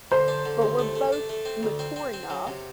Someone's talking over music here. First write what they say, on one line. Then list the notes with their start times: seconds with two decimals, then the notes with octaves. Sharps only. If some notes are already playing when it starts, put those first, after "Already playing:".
but we're both mature enough
0.11 D3 C5
0.28 D4
0.46 D3
0.62 D#2
0.79 A3
0.95 A3
1.13 D4
1.29 A3
1.45 C4
1.63 D2
1.79 C4
1.96 C4
2.13 C4
2.30 F#3
2.47 C3